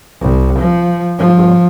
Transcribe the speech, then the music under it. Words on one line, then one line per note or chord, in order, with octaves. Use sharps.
Have a good one.
C2
F3
F3